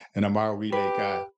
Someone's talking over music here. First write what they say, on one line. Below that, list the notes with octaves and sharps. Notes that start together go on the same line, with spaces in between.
and I'm our relay guy.
G4 B4